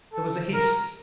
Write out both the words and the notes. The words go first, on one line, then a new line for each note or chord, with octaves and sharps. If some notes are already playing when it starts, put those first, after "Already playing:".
There was a hiss.
A4
A#4